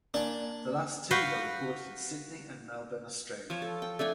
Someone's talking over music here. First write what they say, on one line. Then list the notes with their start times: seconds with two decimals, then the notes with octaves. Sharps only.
The last two were recorded in Sydney and Melbourne, Australia.
0.14 A#3 D4 G#5
1.11 F#4 B4 F5 G5
3.50 F3 C5 C#5
3.62 A4
3.82 G5
3.99 A3 D4 G5 G#5